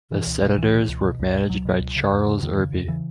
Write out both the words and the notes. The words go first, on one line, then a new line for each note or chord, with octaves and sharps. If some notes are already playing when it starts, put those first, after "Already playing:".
The Senators were managed by Charles Irby.
B2 E3
C#2
B2
C#2 E3
B2
C#2
B2
C#2
B2
C#2 F#3
B2
C#2
C#3
E2
C#3
E2 D#3
C#3
E2
C#3 E3